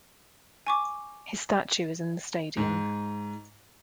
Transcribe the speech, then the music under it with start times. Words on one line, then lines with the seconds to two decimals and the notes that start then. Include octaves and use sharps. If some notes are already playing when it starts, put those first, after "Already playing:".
His statue is in the stadium.
0.67 G#5 C#6 D6
2.57 G#2